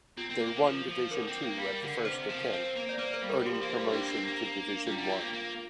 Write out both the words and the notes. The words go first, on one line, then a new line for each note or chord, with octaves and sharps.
They won Division Two at the first attempt, earning promotion to Division One.
C4 F4
C4
A#3
D3
F3
F3
D3 A#4
C4
A#3
G3
D3
C3 C5
F3
C4
A#3
D5
A#3 C5
C5
G3
A#4
F3 G4
A#3
G4
G3
A#3 D4
C4
A#3
G3 F4
G3
C4
A#3
A#3